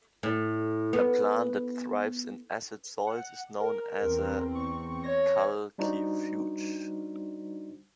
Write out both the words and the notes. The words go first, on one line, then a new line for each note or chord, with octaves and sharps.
A plant that thrives in acid soils is known as a calcifuge.
A2
B3
F#5
A#4
E2 C4
C#6
C#5 A#6
G3 D4 D#4 F#4 C5